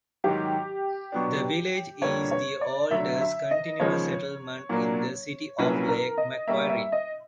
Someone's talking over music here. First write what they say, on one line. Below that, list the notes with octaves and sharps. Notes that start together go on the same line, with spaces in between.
The village is the oldest continuous settlement in the City of Lake Macquarie.
G#2 D#3 F#3 G4
B2 F#3 B3 D4
F2 D3 G3 A#3 D4 C#5
C#5
D5
D2 D3 F#3 E5
E5
D#5
D#2 C#3 F3 G#3 C#5
A#2 F#3 A#3 D4
C2 A#2 F#3 A#3 C#4 B4
A#4
D#5
B2 G3 A#3 E5
E5
D#5